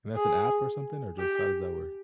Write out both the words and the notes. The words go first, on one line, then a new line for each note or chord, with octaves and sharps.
And that's an app or something, or just how does that work?
G#4
G4